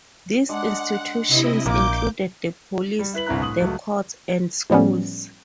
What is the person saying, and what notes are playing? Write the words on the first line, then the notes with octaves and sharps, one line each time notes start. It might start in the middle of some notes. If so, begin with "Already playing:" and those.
These institutions included the police, the courts, and schools.
G#3 D4 F#5
C3 E4 D#5
A#1 A#3 D6 G6
G3
E4 B4 B6 F#7
G1 C2 C4 E4 A#5 F#6
A2 D#6 F#7
C#2 F#3 A3
A2 F3 G3 B3 C#4